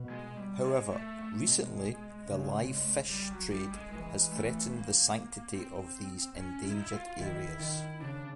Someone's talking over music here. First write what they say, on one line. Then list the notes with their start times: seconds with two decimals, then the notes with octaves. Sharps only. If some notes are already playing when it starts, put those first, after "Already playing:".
However, recently the live fish trade has threatened the sanctity of these endangered areas.
Already playing: B2
0.10 G#3
0.37 G3
0.64 G#3
0.91 A3
1.19 A3
1.46 B2 G#3
2.28 C#3
3.10 G3
3.31 F#3
3.51 G3
3.71 G#3
3.92 E3 G#3
4.32 A3
4.73 A#3
5.55 C4
6.37 C#4
6.64 E4
6.72 D#4
6.78 E4
6.92 F4
7.19 D#3 E4
7.60 D#3 E4
8.01 C#3 D4